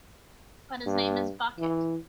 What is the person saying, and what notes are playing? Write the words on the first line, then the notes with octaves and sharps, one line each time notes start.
But his name is Bucket.
G2
E3